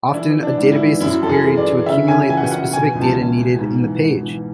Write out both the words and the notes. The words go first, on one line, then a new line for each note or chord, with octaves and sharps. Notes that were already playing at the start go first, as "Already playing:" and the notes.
Often a database is queried to accumulate the specific data needed in the page.
D4
E3 E4
E3
D4
G#2
E4
E3
F#2 E4
F#2 A4
G#4
E3
D5
E3
C#3 E5
C#3 G#5
E3 G#5
F#5
G#5
E3 F#5
B2 G#5
C#2
A5
C#2
B2
G#2
E3
G#2
E3